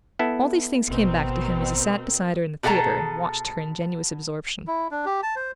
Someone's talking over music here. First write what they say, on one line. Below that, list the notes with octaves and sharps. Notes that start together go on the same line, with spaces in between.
All these things came back to him as he sat beside her in the theatre and watched her ingenuous absorption.
B3 E4 A4
G#1 B2 C4 A#4
B2 G#4 A4 F5 A5 A#5
E4
D4
G4
A5
C5